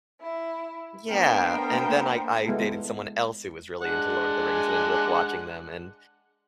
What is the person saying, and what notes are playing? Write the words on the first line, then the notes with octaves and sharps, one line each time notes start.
yeah. And then I I dated someone else who was really into Lord of the Rings and ended up watching them and
E4
A#3 B3 D4 A#4 C5 G5
G#3 B3 E4 F4 A4
G#3 D4 F#5